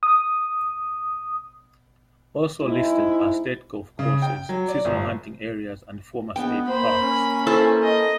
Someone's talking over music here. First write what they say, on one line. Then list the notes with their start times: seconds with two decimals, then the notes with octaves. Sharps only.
Also listed are state golf courses, seasonal hunting areas, and "former" state parks.
0.03 D#6
2.63 G#3 C4 D#4 E4
3.99 C#3
4.22 G5
4.49 F#3
4.68 D5
4.85 G1
6.36 A#1 B3 D#5 G5
6.68 A#3 C5 B5
7.01 C#4
7.47 E4 A4 C5
7.84 D#5